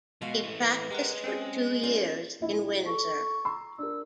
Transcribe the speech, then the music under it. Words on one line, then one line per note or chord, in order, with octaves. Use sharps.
He practised for two years in Windsor.
B2 G#3 F#4 F5
E3 A3
B4
G#3 G4 A#4 F#5
C4 C#4 G#4
B3 C#4 F4 D5
A#1 E4 E5
A4 C#6
A#5 C6 E6
D4 A#4 E6